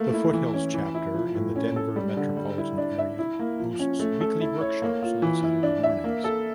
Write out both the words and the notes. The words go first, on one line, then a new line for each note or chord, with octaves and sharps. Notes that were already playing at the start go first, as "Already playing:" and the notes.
The Foothills Chapter in the Denver metropolitan area hosts weekly workshops on Saturday mornings.
Already playing: A3 A#3
E4
E3
C#4
E3
E4
F3
A2
C#4
A4
G3
D3
G3
E4
D4
E5
E4
A#3
F3
C#4
A3
A4
E4
C#5
A#3
F4
E3
E4
D4
E5
A#3
A4